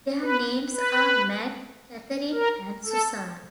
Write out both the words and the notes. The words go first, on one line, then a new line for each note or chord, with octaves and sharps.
Their names are Matt, Katherine and Susan.
B4
B4
A#4
A4